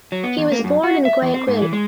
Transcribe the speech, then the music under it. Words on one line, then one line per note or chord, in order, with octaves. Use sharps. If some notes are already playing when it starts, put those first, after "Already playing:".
He was born in Guayaquil.
F#3
B3
E2
A#3
F#2
F#4
E5
E2
C4
G#2
E3
G#3